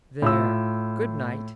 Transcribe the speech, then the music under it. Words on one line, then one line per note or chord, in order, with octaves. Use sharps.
There, good-night.
A2 F4 E6